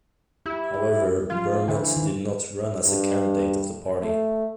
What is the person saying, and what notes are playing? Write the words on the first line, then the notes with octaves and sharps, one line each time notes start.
However, Bermet did not run as a candidate of the party.
E4 G4
G4
F3 C#4 F4 F5
D3 E3 C5
D#3
G2
A3